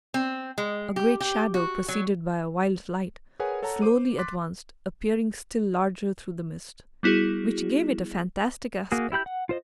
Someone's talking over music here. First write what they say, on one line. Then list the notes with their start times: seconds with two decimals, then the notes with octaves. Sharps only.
A great shadow, preceded by a wild light, slowly advanced, appearing still larger through the mist, which gave it a fantastic aspect.
0.14 C4
0.58 G#3
0.96 G4
1.20 G4
1.54 F#4
1.88 F#3
3.40 G#4 A#4 B4 C#5 F#5 G#5
3.62 A4 C#5 F#5 A5 A#5
3.82 C5 D6 D#7
4.18 C6 D6 F#6 A6 B6
7.03 G3 B3 E4 F#4 G#4
8.92 A#3 F#4 G#4
9.12 E4 G4 B5 G6
9.26 F#5
9.49 F4 C5 D#5